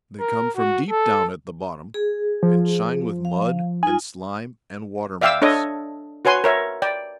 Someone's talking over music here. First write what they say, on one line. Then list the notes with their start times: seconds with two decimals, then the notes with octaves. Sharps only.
They come from deep down at the bottom, and shine with mud and slime and water-moss.
0.20 A#4
0.56 F#4
0.90 A4
1.94 G#4
2.43 F3
3.25 F5
3.83 D#4 F4 G#5
5.21 D5 E5 F5 G5 D6 E6
5.42 D4 A4 C#5 D#5
6.25 F#4 B4 C#5 G#5 C6
6.44 A#4 C#5 E5
6.82 D5 G5